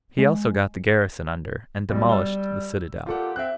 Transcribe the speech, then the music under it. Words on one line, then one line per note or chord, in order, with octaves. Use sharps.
He also got the garrison under, and demolished the citadel.
G#3
B1 G3
E6 G7
A#2 F4 G4 A4 F#5
C4 E5 F#6